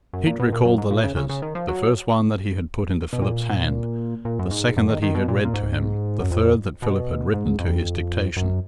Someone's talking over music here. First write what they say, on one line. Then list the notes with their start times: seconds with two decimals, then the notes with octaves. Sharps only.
Pete recalled the letters--the first one that he had put into Philip's hand, the second that he had read to him, the third that Philip had written to his dictation.
0.13 F#2
0.27 A#2
0.40 B2
0.52 A#2
0.65 F#2
0.78 G#2
0.91 A#2
1.04 C#3
1.17 C#3
1.29 C#3
1.42 D#3
1.55 F3
1.68 F#3
3.13 B2
3.22 A#2
4.25 A#2
4.39 F#2
4.51 G#2
4.77 F#2
4.90 D#3
5.02 D#3
5.15 B2
5.28 A#2
5.45 A#2
5.54 G#2
6.20 F#2
6.31 F2
6.82 B2
7.33 G#2
7.60 F2
8.37 F#2